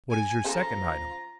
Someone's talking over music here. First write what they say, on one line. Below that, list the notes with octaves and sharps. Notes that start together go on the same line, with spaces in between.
"What is your second item?"
G#5
C#3 F3 F4 A4 A#5